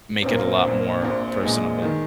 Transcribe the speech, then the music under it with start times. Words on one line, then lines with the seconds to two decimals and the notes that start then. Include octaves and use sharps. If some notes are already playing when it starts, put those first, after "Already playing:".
make it a lot more personable.
0.22 A#1 A#2 C4
0.33 A#3
0.43 C4
0.53 C4
0.63 A#1 A#2
1.02 A#1 A#2
1.42 A#1 A#2 G#3
1.82 D#3